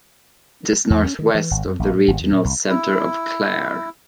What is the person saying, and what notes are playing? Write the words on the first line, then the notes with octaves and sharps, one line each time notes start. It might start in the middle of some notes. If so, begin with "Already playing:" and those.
It is north west of the regional centre of Clare.
E2
C#4
D#3
E3
G#1
F#2
A#1
A2
G#1
E2
A#2
C2
E4